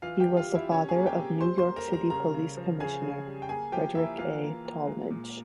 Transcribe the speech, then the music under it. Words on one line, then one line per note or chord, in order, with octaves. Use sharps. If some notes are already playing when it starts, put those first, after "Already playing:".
He was the father of New York City Police Commissioner Frederick A. Tallmadge.
E3 F4 F5
G4 G5
G3
F4 F5
G3
E4 E5
C3 C#4 C#5
G#4 G#5
A#3
G4 G5
C3
G3 C5 C6
C5 C6
A#3
A#4 A#5
G3
A#4 A#5
C#3 A#4 A#5
C#3
F3
C#3 G#4 G#5
C#3
G3
G5
A#3 G#4 G#5
F3 G4 G5
A#3 E4 E5
E3 F4 F5
A#3
A#3
G#3
A#2